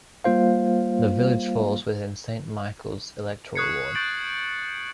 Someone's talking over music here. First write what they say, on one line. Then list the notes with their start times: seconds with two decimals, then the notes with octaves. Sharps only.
The village falls within 'Saint Michel's' electoral ward.
0.24 G3 A#3 F4 C5 F5
3.55 C#6 D#6 F#6 G#6 C7 C#7
3.95 C#6 G6 A6 D7 F#7